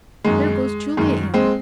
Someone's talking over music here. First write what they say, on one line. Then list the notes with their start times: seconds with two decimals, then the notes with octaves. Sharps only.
There goes Julia in.
0.24 F#2 D#3 G#3
0.97 F#2 D#3 G#3
1.34 G#3 C4